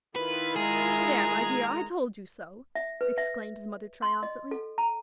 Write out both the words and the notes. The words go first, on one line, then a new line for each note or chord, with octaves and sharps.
"There, my dear, I told you so," exclaimed his mother, triumphantly.
D#3 E4 F4 B4
G#3 G#4 A#5
E5
B4
E5
C6
D#5
A4
A#5